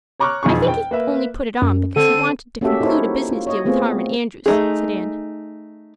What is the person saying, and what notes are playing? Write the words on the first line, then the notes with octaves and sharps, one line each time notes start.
"I think he only put it on because he wanted to conclude a business deal with Harmon Andrews," said Anne.
C#5 A#5 C#6 D6 F6 F#6
E1 F2 D#4 G#4 C#6
G5
A#3 B4 E5
F#2
D3 C4 A4 D#7
A#3 C#4 F#4 G4 A4 E5
D#4 E4 A4 A#4 C5 C#5
F4
C#5 D#5
A3 B3 C4 F4 G#4
A3 D#4 G#4